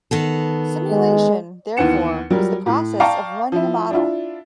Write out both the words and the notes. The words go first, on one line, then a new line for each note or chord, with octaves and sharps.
Simulation, therefore, is the process of running a model.
D#3 B3 A4
G#3
D#2 E3 B3 F#5 C#7 E7
F#3 G3 F4 A#4
A2
D5 F5 G5 A5 A#5 C#6
F3 E4
D4 E4 F4